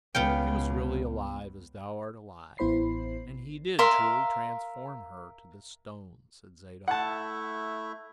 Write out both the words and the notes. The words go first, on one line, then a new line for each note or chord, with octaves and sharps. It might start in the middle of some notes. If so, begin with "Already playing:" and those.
"She was really alive as thou art alive, and he did truly transform her to this stone," said Zadok.
C#2 B3 F5 G5
A1 B3 E4 C5 B5 C7
A#4 E5 F5 C6
A3 E4 F#5 A5